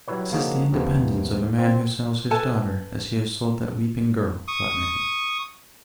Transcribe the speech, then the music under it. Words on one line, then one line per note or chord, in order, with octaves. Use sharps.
'And this is the independence of a man who sells his daughter as he has sold that weeping girl!' thought Nicholas.
F#3 G3 E4 B4 C#5
C#3 F3 A#3 D#4 F#4 G#4
D#2 C3 F3 B3
C4
A4 B4 G#5 A5
C#6 D#6